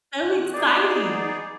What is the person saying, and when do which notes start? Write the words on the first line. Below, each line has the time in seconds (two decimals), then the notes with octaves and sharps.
so exciting,
0.23 D#3 F#6
0.54 B3 D#4 G#4 D5